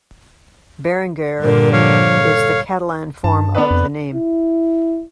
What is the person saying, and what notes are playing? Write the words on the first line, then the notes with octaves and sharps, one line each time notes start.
Berenguer is the Catalan form of the name.
G2 A#2 D3 A#4
F3 C#5 F5
A4
G2 A5
B3 D4 B4
F2
E4